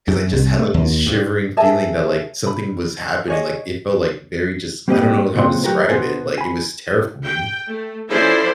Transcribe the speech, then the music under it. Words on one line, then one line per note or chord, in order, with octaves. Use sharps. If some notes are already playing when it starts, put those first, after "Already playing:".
'cause I just had, like, this shivering feeling that, like, something was happening, like, it felt, like, very just I don't know how to describe it. Like, it was terrifying.
F#2
C2
A3
D#2
G2
G#4 A#4 E5 A5
B5
G#4 C#5 D#5
G3 A#3 C4 G4 D5 D#5
A#2 C#3 F#3 C4 C6
F#3 A3 F#4 G4 A#4 B4
B2 B3 D#4 F#4 C5 G#5
G#5 B5
G5
A3
F3 C#4 E4 A4 C5 D5